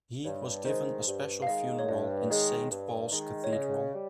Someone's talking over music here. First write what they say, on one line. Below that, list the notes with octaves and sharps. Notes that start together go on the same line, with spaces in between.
He was given a special funeral in Saint Paul's Cathedral.
G2 C#5
D#3 G#3 C5
G2
F5
D#3 G#3 D#5
C#5
G2 D#5
D#3 G#3
G2
D#3 G#3
C#5
C#3 D#5
G3